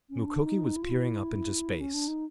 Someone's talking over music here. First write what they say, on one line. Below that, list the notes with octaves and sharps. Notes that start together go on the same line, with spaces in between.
Mukoki was peering up into space.
C#4
D4
D#4
E4
F4
E4
C#4
D4
D#4